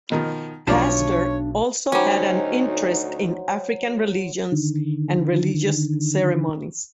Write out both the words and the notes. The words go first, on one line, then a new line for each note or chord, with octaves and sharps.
Pazder also had an interest in African religions and religious ceremonies.
B2 D#3 F3
B1 F3 D4 C#5 D5
D2 F#3 G3 C#4 D#4 C5 D#6
D3 D#3